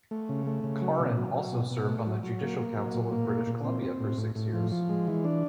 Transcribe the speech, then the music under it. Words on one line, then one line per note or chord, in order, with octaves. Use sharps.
Karin also served on the Judicial Council of British Columbia for six years.
A3
C#3
A3
C#3
F#3
B2
F#3
F#3
B2
B2
A3
F#3
F#3
A#3
A#3
F#3
A#2
A#3
A#2
A#2
C4
C4
A2
A2
A2
F3
F3
G#3
E3
D4